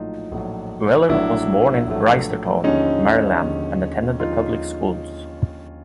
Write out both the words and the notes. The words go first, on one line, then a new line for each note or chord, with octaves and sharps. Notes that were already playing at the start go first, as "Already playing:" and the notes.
Weller was born in Reisterstown, Maryland and attended the public schools.
Already playing: A#1 A2 F#3 A3 D#4 F4
A#1 A2 F#3 A3
A#1 A2 F#3 A3 D4 E4
A#1 A2 F#3 A3
D#2 D3 F3 G#3 C#4 D#4
D#2 D3 F3 G#3
D#2 D3 F3 G#3 D#4 F4